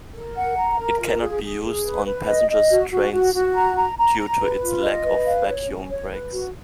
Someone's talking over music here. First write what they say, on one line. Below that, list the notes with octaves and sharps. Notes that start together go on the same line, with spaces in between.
It cannot be used on passenger trains due to its lack of vacuum brakes.
A#4
F#5
A#5
A#4
F4
G#4
G#4
G#4
B4
B4
D#5
D#5
F#4
F#4
F#4
F#4
A#5
A#5
A#5
A#5
B4
F4
D#5
B4
F5
C#5
C#4
C#5
B4
F#4